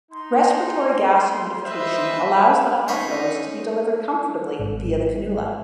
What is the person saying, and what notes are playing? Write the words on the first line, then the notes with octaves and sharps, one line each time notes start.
Respiratory gas humidification allows the high flows to be delivered comfortably via the cannula.
D#4 C6
B4 C5 D#5 E5
C#4 D#4 C5 C#5 B5
G#1